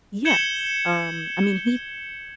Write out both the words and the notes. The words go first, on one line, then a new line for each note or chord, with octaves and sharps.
Yes. Um, I mean, he
G6 G#6 C#7 E7 F#7 G7